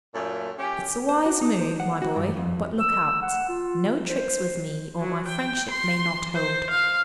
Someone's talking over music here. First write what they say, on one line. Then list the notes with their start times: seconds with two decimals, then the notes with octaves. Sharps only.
It's a wise move, my boy, but look out! No tricks with me or my friendship may not hold.
0.14 F#2 A#2 A3
0.58 C#4 G4
1.09 C5
1.26 F#4
1.41 D#4
1.59 C5
1.80 F#5
2.02 F#4
2.16 G2
2.37 F2
2.80 E6
3.22 F#5
3.49 F4
4.07 C5
4.99 F#3
5.28 G5
5.71 C6
6.35 C5
6.71 F5